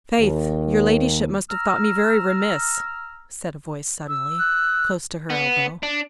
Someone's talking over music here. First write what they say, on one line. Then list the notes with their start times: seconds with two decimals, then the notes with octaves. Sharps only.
"Faith! your ladyship must have thought me very remiss," said a voice suddenly, close to her elbow.
0.18 D#2
1.49 A#5 E6 F6
4.08 E6
4.38 F#6
5.30 B3
5.83 D4